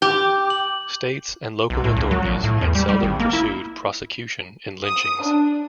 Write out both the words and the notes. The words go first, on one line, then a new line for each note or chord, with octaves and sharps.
States and local authorities had seldom pursued prosecution in lynchings.
G4 D6 G6
F#7
B1
A2
C#2
F#3
A#1
A2
E2
G3
G3
G#1
A#3
E4
D#6
D4